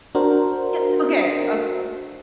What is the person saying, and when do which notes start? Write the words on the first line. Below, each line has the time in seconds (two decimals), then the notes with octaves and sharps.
Ye okay. O
0.15 D4 F#4 A#4 C5